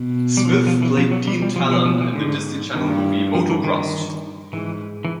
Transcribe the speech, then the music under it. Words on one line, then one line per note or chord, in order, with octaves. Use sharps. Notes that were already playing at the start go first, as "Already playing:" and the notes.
Smith played Dean Talon in the Disney Channel movie "Motocrossed".
Already playing: B2
G3
F3
F#3
F3
E3
F3
F#3
G3
G3
B2 F3
F3
F3
E3
G#2 D3
G2 D#3
F3
E3
D#3
D#3
G#2 E3
E3